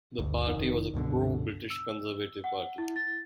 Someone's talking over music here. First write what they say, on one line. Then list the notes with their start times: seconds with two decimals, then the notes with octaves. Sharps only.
The party was a pro-British conservative party.
0.19 G1 D2
0.47 F1 D#3
0.94 C#2 G2 B2 D3
1.70 E6
2.44 F#5
2.78 E4
2.96 A6